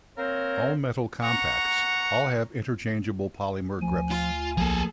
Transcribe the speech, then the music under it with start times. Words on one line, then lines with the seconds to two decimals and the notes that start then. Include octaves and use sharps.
All metal Compacts all have interchangeable polymer grips.
0.17 A#3 C4 A#4 C5 C#5
1.22 F#5 A#5 C#6
3.81 D2 F3 G#5
4.11 F4
4.57 B1 F3 A#3 G#4 A4